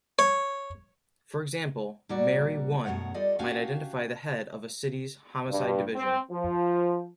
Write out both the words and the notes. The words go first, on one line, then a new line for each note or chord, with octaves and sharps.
For example, "Mary One" might identify the head of a city's homicide division.
C#5
A#2 G3 A#3 F#4 D5
F#2 B2 A3 C#5 F#5
G3 F4 A4 D5 D#5
C#4 D4 F#4 G4 F5 G#5
G2
C4
F3